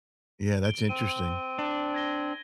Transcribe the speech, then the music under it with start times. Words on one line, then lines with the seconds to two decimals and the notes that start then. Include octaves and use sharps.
Yeah, that's interesting.
0.65 D7 G7
0.89 C4 D#7
1.59 D4
1.94 G#6 A#6 G7